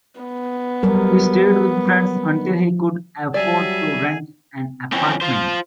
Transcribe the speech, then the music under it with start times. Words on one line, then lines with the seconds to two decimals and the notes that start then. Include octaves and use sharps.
He stayed with friends until he could afford to rent an apartment.
0.20 B3
0.83 F#3 G3 A#4
3.34 F#3 G3 G#4 D5 E5 A5
4.92 F2 E3 C4 C#4
5.21 F4 C5